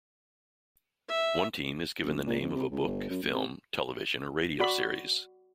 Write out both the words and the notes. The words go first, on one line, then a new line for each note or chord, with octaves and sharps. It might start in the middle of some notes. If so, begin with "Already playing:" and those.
One team is given the name of a book, film, television or radio series.
E5
F#1
A#2
F2
C3
C#2
G1
F#2
F#1
C3
F#4 D5 B5